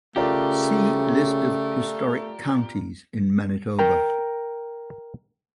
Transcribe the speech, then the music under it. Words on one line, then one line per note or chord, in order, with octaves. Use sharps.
See List of historic counties in Manitoba.
C#3 A3 F4 G4 A#4 D5
A#4 G5 A#5